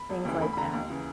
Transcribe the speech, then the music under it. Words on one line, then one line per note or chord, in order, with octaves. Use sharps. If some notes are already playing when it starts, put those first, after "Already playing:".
things like that.
Already playing: B5
E1
D#2 C#3 E3
D2 B5
B5
D3 A#5
D#2
C#3 E3